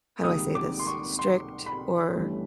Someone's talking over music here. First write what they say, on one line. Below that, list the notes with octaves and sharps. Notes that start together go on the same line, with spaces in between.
how do I say this- strict or,
C#2 C3 D#3 G3 A#3 D#6
D6
C6
C#6
C6
B5
G1 G2 E3 A3 C#4